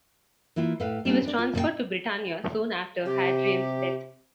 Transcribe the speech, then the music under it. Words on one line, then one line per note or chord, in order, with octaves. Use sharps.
He was transferred to Britannia soon after Hadrian's death.
E3 A#3 E4 F4
A2 A4 B4 F5
G3 A#3 C#4 D4 A4
D4 D5
F4
A#2 C#3 B4 G5
C3 G4